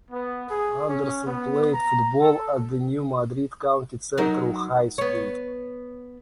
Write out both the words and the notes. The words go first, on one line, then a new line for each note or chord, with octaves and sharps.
Anderson played football at New Madrid County Central High School.
B3
G#4
C#4
B3
A#5
A4
F#3 D#4 A#4
B3 C#5